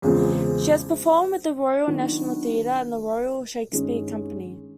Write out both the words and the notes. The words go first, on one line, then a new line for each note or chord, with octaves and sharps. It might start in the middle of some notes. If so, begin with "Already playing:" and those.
She has performed with the Royal National Theatre and the Royal Shakespeare Company.
E2 C#3 F3 G#3 C4
D#3 F#3 B3 D4
G2 D#3 G#3 C#4